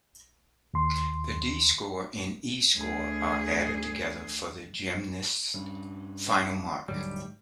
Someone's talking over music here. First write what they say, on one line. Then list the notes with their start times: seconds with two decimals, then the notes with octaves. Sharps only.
The D-score and E-score are added together for the gymnast's final mark.
0.74 D#2 C6
2.76 D2 G#4
5.54 G2 G3 C#4
6.88 D#1 G#2 D3 F#3 G3